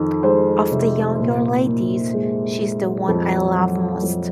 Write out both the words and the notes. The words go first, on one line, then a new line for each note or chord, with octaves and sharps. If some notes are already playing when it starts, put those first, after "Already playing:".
Of the younger ladies, she's the one I love most.
Already playing: F2 D#3
G#3 C5
C3
A#2
A#2
G#3
G#3
F2
F#3
F2